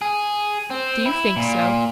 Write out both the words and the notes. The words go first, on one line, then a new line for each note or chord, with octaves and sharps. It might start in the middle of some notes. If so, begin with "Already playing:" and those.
"Do you think so?"
G#4
C4
E4
A#2